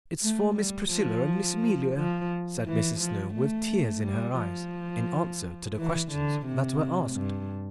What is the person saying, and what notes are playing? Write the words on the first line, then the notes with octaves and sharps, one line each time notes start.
"It's for Miss Priscilla and Miss Amelia,'" said Mrs. Snow, with tears in her eyes, in answer to the questions that were asked.
A3
G3
F3
F3
E3
F3
A3
G3
F3
E3
D3
C3
G2